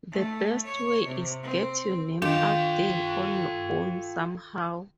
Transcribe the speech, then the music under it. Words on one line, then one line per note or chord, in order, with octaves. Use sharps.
The best way is get your name out there on your own somehow.
A3
C#5
C3
C4
D#3 D4 F4 A4 G5